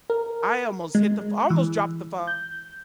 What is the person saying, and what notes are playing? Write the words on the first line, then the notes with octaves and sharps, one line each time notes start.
I almost hit the fl I almost dropped the phone.
A#4
G#3
E3
G6